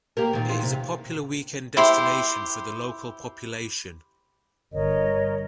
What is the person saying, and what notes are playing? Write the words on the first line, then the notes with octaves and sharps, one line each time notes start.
It is a popular weekend destination for the local population.
A#3 G4 A#4
A#2 D#3
E2 D#3 F4
C3
E4 G4 C5
G1 A#4 C#5 D#5